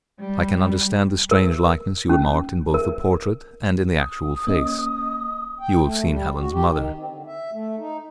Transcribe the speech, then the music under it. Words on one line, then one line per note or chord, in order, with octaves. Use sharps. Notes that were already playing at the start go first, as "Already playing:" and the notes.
I can understand the strange likeness you remarked in both the portrait and in the actual face; you have seen Helen's mother.
G3
A#4
C#4
A#4
D#6
A#3 C#4 D#5
G5
A3
G3
F#4
G4
D#3
C4
D3
E5
A3
D#4